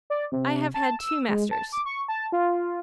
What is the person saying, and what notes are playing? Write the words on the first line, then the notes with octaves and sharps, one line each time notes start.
I have had two masters.
D5
C3
A5
E6
G#3
A5
D6
C#6
A5
F4